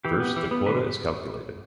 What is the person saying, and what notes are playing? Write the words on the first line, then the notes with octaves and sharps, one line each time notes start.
First, the quota is calculated.
E3 G4
B3
E3
B3
D3 B4